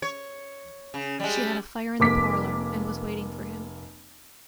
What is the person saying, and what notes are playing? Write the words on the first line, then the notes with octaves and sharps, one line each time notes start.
She had a fire in the parlour, and was waiting for him.
C#5
C#3
G3 G#3
F1 A#3 D6 B6